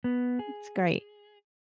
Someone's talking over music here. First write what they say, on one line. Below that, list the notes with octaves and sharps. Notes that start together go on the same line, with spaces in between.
that's great.
B3
G#4